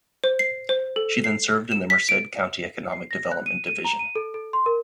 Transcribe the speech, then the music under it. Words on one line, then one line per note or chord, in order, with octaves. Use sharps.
She then served in the Merced County Economic Development Division.
C5
C7
C5
A4
C7
E7
B6
D7
C7
A#6
F#6
D#7
D#7
A#5
D#7
A4
A4
C6
A#4